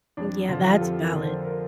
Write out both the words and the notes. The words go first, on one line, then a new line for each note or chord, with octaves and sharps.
yeah, that's valid,
F2 D4
D3 F3 F4
F4
G4
F2 A4
A#4
D3 F3
C5
A#4